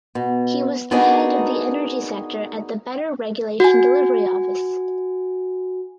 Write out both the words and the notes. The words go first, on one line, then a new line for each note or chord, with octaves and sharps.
He was the Head of the Energy Sector at the Better Regulation Delivery Office.
B2
B3 D4 D#4 F#4 G#4 A#4
F#4 G#5